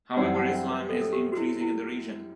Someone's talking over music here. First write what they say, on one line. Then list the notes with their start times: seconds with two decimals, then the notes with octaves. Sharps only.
However Islam is increasing in the region.
0.17 F#2 E3 G3 C4 D5 F#5
0.35 F#5 A5
0.53 E5 G5
0.71 B4
0.89 A4
1.01 A4
1.13 G4
1.32 F#4
1.37 E4
1.61 E4